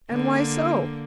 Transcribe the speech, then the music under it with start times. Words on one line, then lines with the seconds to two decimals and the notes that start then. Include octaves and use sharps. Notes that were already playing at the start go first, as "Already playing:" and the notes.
"And why so?"
0.10 D3 A#3